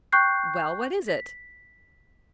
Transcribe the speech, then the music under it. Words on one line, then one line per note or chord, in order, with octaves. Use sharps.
"Well, what is it?"
G5 C#6 F#6 G6 C7
B6